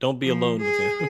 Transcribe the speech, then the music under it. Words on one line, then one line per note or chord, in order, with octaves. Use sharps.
don't be alone with him,
F3
G#4